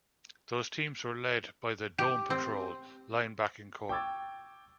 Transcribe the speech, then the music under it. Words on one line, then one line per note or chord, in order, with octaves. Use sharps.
Those teams were led by the "Dome Patrol" linebacking corps.
G4
C4
G5 C#6 D6 E6 G#6 A6